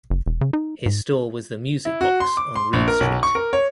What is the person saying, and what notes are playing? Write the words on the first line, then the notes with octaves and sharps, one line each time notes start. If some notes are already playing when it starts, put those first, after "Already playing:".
His store was the Music Box on Reid Street.
F#1
E1
C#3
D#4
G#2
E4
F#4
C6
D6
C6
A#1
A#4
B1
C#6
A#4
C#5